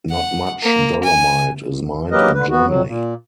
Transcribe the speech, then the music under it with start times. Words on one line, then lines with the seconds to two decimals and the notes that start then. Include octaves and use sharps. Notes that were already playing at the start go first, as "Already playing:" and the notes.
Not much dolomite is mined in Germany.
0.10 F#5
0.63 A#3
1.03 G#5
2.12 F#3 A#3 G4 A#4 B4 D#5
2.34 D3 B4
2.50 B3 F#4
2.66 F2 F#3
2.86 A#2